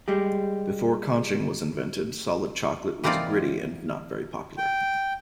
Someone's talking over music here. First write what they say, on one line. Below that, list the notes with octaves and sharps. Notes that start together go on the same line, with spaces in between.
Before conching was invented, solid chocolate was gritty and not very popular.
G3 G#3 G4
E3 A#3 C4 D#4 F4 D5
G5